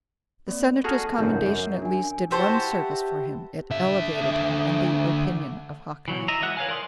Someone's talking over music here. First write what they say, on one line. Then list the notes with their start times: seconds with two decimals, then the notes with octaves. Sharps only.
The Senator's commendation at least did one service for him, it elevated him in the opinion of Hawkeye.
0.47 A#3 C4 D5
0.84 F#4 G#4 A4 A5 A#5 F6
1.19 G#1 C#2 F#2 A#4 E5 G6
1.46 F#2
1.82 D4 G#5
2.31 E4 F#4 G4 B4 C5 A5
3.71 D3 E5
6.08 E3 F#3
6.28 D#5 E5 A#5
6.42 E3 G#3 E5 F#5 F#6
6.57 B4 C#5 F5 G#5
6.69 A#4 D5 C6 D#6